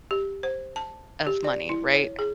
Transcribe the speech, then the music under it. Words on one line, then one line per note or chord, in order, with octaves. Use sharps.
of money? Right?
G4
C5
A5
G4
D5
E4
C#5
G#4